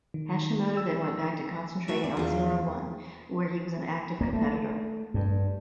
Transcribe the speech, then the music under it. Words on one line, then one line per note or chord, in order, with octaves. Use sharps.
Hashimoto then went back to concentrating on Zero-One, where he was an active competitor.
D#3
E6
A3 F#4 E5
D5
E2 F4
A#3
A3
G2